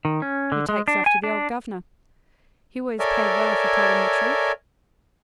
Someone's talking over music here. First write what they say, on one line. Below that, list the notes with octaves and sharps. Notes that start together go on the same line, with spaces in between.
You takes after the old governor; he always paid well if you told him the truth.
D#3
C#4
D3
G#3
D4
G#5
D4
A4 A#4 C#5 D5 E5 G#5